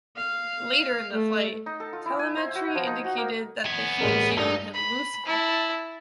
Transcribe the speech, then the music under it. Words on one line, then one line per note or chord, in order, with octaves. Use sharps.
Later in the flight, telemetry indicated that the heat shield had loosened.
F5
A3
D#4
A4
F4
E4
G#5
C5
F#4
F3
D#4
F#4
A#3
B3 G#5
A1 G#3 A#3
G2 D#4
B5
E4 A5